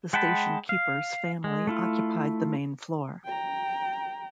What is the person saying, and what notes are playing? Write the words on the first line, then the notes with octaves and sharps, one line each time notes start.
The station keeper's family occupied the main floor.
G#3 F#5 G5 A5 B5
F5
G#3
A3 E4 F4
G5 A#5